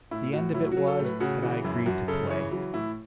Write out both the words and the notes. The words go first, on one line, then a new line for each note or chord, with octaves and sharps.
The end of it was that I agreed to play.
A2 E4
A2 F#4
F#3 E4
F#4
F#3
A4
A2
B4
C#3 F#4
E3 F#4
F#2 E4
F#2 F#4
C#3 A4
E3 C#5
F#3
A2 E4